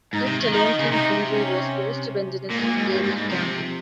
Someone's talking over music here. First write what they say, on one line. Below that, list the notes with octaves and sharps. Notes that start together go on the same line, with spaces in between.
Left alone, King Henry was forced to abandon his Hungarian campaign.
G#2 D#4
C3
D#3
F3 D#4
D#3
C#3
C3 D#4
C#4
A#2 A#3
G#2
A#2
G#2
G2 G3
G#2
G#2
C3 F3